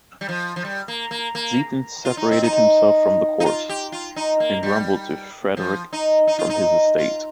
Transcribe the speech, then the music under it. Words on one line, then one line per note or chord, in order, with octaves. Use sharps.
Zieten separated himself from the court, and grumbled to Frederick from his estate.
G3
F3
F3
G3
A#3
A#3
A#3
F4
D#4
C4
D#4
D#4
F4
G4
F4
D#4
A#3
G3
F3
D#4
D#4
F4
D#4
F4